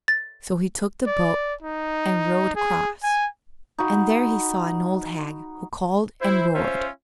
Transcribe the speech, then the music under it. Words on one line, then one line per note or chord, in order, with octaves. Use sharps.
So he took the boat and rowed across, and there he saw an old hag, who called and roared.
A6
D5
D#4
G#4
G#5
D#4 F#4 B5
E4 C5
C#4 F4 C5 E5